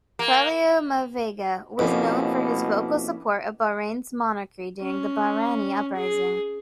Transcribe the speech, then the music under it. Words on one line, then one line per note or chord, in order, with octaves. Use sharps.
Faleomavaega was known for his vocal support of Bahrain's monarchy during the Bahraini uprising.
A#3
F2 B2 A#3 C#4 E4
C#4
G#4